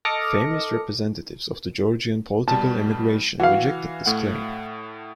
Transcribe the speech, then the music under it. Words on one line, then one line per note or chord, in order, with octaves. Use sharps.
Famous representatives of the Georgian Political Emigration rejected this claim.
A4 D#5 D6 F6 A#6 C#7
B2 G3 A5
E3 F#4 F5
A2 A3 F#5